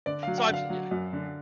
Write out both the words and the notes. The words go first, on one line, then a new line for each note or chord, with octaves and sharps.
So I've yeah.
D3 D5
F#3 F5
F#5
D3 F5
F#3
F#2
D3